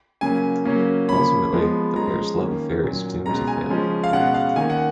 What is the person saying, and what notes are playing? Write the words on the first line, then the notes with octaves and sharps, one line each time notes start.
Ultimately, the pair's love affair is doomed to fail.
C#3 F#3 A#3 C#4 G#5
C#3 F#3 A#3 C#4
F3 A#3 C#4 B5
F3 G#3 B3
F3 G#3 C#4 A#5
D#3 A#3 C#4
A#2 F#3 C#4
B2 G#3 C#4 A#5
G#5
C#3 F3 G#3 C#4
F5
B2 G#3 C#4 F#5
F5
D#3 A#3 C#4 G#5
F#5